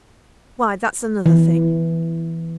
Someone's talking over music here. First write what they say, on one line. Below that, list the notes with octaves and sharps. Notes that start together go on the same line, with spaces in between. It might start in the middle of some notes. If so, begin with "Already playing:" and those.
'Why, that's another thing.
E3